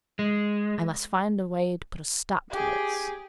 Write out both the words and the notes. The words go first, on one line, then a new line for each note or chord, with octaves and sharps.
I must find a way to put a stop to this.'
G#3
G4 G#4